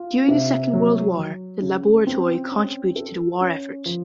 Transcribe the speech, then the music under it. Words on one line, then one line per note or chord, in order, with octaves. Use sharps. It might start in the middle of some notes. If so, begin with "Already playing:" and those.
During the Second World War, the Laboratory contributed to the war effort.
Already playing: F4
C3
F#3
F#3
C#3
C4
C#4
A4
C#4
F3